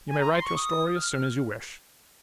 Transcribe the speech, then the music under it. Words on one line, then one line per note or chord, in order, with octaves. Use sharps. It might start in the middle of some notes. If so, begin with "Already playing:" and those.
You may write your story as soon as you wish.
G#5
A#5
C6
C#6
D#6
F6